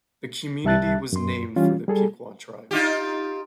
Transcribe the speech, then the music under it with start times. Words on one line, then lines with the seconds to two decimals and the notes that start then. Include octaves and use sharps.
The community was named for the Piqua tribe.
0.64 C2 G3 E5 A5 F#6 A6
1.13 F#2 C6
1.56 E3 G3 C#4 F4
1.88 G3 G#4 A4
2.71 D#4 F4 G4